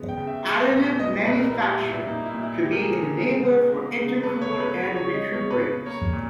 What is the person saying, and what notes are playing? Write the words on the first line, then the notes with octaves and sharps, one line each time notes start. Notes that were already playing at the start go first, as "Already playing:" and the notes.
Additive manufacturing could be an enabler for intercooler and recuperators.
Already playing: C#3 G#3 B3
G5
C#3
E5
G#3
A#2
B3 D#5
D#5
A#2 B4
A#4
G3 E4
G4
A#2
G4
E4
A#3 D#4
E4
A#2
E4
G#3 G4
A#4
G#4
C#3
A#4
B3
C#3
G#3
C#3
B3 B4
C#5
C#3
B4
B4
G#3 C#5
C#5
C#3
D#5
B3 C#5
B4
C#3
B4
A#3 C#5
A#2